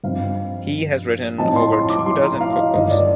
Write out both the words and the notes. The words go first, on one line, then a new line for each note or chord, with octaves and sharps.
He has written over two dozen cookbooks.
G2 F3 C4 D#4 F5
A2 F3 C4 D#4 A5
C6
C6
D6
C6
A#5
F5
D#5
G1 G2 D#3 D#5
D5